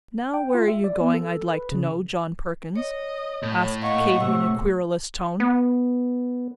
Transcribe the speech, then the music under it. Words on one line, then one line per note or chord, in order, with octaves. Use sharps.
"Now, where are you going, I'd like to know, John Perkins?" asked Katy, in a querulous tone.
G5
F4
E5
D5
B3
A4
B4
C#3
C#5 D#5
A2
A#3 D#5 F5 F#5 C#6
A2 C3 A3 E6
B3